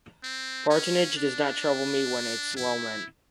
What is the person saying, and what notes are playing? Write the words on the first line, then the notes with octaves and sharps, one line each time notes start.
Patronage does not trouble me when it is well meant.
C4
C#4
D4
E4